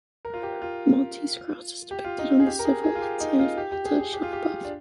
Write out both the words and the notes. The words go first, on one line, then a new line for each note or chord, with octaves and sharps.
The Maltese cross is depicted on the civil ensign of Malta, shown above.
A#4
F4
G4
F4
G4
F4
D#4
G#4
G4
A#4
G#4
G#4
F4
G4
D#4
F4
G4
G4
G#4
G#4
G4
F4
G4
D4